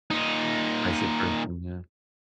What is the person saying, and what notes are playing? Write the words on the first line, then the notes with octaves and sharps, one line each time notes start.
spicy person. Yeah.
A#2 D#4